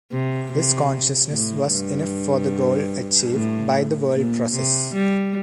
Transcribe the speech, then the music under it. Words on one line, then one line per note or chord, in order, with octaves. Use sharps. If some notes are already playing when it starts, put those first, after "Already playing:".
This consciousness was enough for the goal achieved by the world process.
C3
C3
A2
G2
A2
A#2
C3
G3